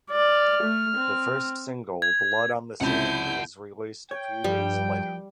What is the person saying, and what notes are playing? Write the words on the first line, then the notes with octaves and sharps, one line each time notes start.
The first single, "Blood on the Sand", was released a few days later.
D5 F6
A3
C4
G#6
C#2 C3 C#4 E4 F#5 A5 G6
C#5 G5
G2 F3 G3